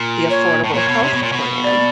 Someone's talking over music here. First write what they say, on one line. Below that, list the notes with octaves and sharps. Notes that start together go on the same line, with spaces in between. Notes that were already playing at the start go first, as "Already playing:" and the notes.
the affordable health plan,
Already playing: A#2
C#5
A2
A#2 C#5
B2
C3
B2
A#2
B2
D5